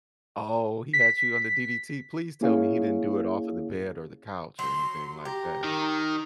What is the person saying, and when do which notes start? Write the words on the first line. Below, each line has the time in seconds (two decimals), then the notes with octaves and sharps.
Oh, he had you on the DDT. Please tell me he didn't do it off of the bed or the couch or anything like that.
0.93 B6
2.41 A#3 C#4 E4 G#4 C#5 F5
4.59 F#3 C6
5.25 G4 A#5
5.64 D#3